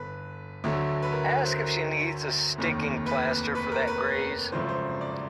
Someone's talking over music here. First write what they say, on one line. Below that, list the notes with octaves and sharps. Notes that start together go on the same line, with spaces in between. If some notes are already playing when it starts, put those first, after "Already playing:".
Ask if she needs a sticking plaster for that graze.
Already playing: G1 D3 B4
D2 D3 F#3 A3
B4
A#4
B4
C5
A#4
F1 D#2 D#3
B4
B4
A#4
B4
G#1 F#2 C#3 F3 A3 C5
C5
D5